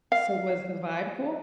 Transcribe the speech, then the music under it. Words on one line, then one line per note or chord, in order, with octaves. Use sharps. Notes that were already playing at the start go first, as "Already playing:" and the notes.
So was the vibe cool?
F5